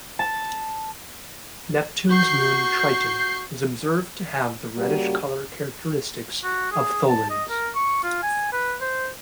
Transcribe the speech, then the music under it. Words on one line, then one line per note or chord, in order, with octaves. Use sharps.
Neptune's moon Triton is observed to have the reddish color characteristic of tholins.
A5
F#4 C#6 G6 C7
C#3 G3 A#3 F#4 G4
F#4
G#4
A5
D#5
A#4
C#6
F4
G#5
B4
C5